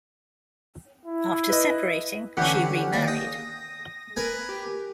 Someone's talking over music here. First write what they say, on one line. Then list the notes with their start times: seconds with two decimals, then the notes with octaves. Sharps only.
After separating, she remarried.
1.05 E4
1.50 B4 D#5
2.37 D3 E3 C#4 G4 F#5
2.93 D#2 D5
3.08 G5 D#6 A#6
4.16 A#4 B4 G#5
4.49 G4